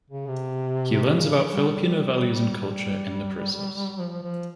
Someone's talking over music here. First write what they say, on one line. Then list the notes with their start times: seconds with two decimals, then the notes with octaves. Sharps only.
He learns about Filipino values and culture in the process.
0.10 C#3
0.28 C3
1.16 C#3
1.52 G3
1.69 G3
2.58 G3
4.00 F3
4.24 F3